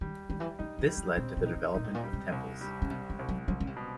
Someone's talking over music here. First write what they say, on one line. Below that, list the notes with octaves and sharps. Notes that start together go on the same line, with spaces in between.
This led to the development of temples.
D#3 G3
D#3 G3
E3
F3 D#4
E3
G3
E3
B2 C4
B2
D#4
C3
A#2 D#4
A2
A#2
G3
C3
C2
G3
C#3
C3 G3
F3
C2
F#3
C2 F#3
C#3
C3
B2